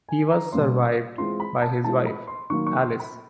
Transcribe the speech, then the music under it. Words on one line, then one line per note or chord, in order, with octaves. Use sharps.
He was survived by his wife, Alice.
G#5
A#5
B2 G3 A#3 C#4 C6
E3 G#3 C4 F4 C6
B5
A5
E3 G#3 C4 F4 A5
B5
C6
D#3 F#3 A#3 C#6
C#6
C6
B5